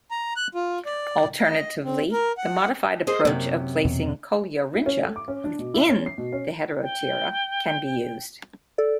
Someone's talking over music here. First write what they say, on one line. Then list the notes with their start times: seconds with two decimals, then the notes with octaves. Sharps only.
Alternatively, the modified approach of placing Coleorrhyncha 'within' the Heteroptera can be used.
0.11 A#5
0.36 F#6
0.55 F4
0.85 D5
1.43 D#5
1.84 C4
2.12 A#4
2.38 F#5
3.07 G#4 C5 D#5
3.25 F#2 C3 A#3
3.85 E2 B2
4.74 E4
4.86 C#4
5.03 A4
5.16 D6
5.28 C#4
5.44 D4
5.59 B2
5.74 E4
5.89 C#4
6.06 C7
6.18 B2
6.33 C#4
6.83 G5
8.78 A4 D5